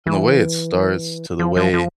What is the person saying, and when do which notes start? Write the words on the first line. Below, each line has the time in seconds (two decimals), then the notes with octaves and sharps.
from the way it starts to the way
0.07 E3
1.40 F3
1.56 F3
1.73 F3